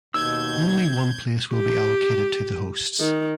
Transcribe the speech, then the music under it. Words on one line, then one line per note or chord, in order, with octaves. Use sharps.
Only one place will be allocated to the hosts.
D#2 B2 E6 G6 G#6
G4
D#3